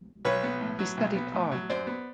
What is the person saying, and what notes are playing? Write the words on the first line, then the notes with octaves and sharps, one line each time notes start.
He studied art.
B1 B4 C#5
B3
A2
F#3
B1
B3
A2
F#3
F#2 C5 D5
B3